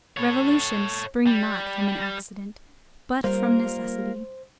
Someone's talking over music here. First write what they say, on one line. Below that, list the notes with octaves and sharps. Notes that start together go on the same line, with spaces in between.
Revolutions spring not from an accident, but from necessity.
A4 C#5
G3
G3 A#3 F4 A#4 C5